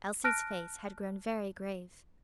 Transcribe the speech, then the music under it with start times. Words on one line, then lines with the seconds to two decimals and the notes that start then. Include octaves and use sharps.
Elsie's face had grown very grave.
0.24 A5 F6 F#6 A#6 D7